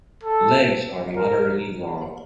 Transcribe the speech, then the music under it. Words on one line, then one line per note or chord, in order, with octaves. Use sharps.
Legs are moderately long.
A4
A#4